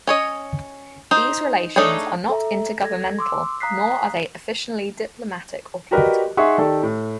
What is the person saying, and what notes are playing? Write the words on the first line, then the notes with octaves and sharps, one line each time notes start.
These relations are not inter-governmental nor are they officially diplomatic or political.
C#4 C#5 D#5
D#4 C5
A3 D4 D#4 G#4 C#5
A4 E5 A#5
A4 G#6 A#6
C6 D6 E6
F5 A#5 D#6 F#6 B6 C7
F#4 G4 A#4 B4 D5 D#5
D#4 G#4 E5 F#5 C6 C#6
D#3 G4 A4 D5
A2